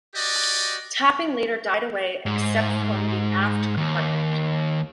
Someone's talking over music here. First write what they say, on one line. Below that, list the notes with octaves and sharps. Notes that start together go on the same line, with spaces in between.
Tapping later died away except from the aft compartment.
F#4 G4 D5 D#5
G#2
D#2